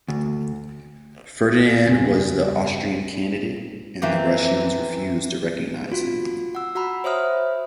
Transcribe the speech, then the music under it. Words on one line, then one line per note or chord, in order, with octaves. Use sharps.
Ferdinand was the "Austrian candidate" and the Russians refused to recognise him.
D2
E2 G2 C#3 G3 C4 G4 G#5
E3 A#3 C4 G4
F4 F#4
F#5 E6
F#4 F#5 A#5 B5
C5 C#5 E5 D#6 F6